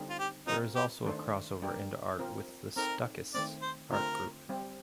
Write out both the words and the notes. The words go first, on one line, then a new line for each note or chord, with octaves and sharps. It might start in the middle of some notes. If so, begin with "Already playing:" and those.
There is also a crossover into art with the Stuckists art group.
Already playing: D3 G3 C4 D#4 A4
F4
G4
C4 D#4 F4 A#4
G4
D#3 A3 D4 A4 C5
G3 D4 G4 A#4
C4 F4 A#4
C4 D#4 A4 A#4
D#3 A3 C4 D5
C5
D3 A3 C4 F4 A#4 C5
G3 C4 G4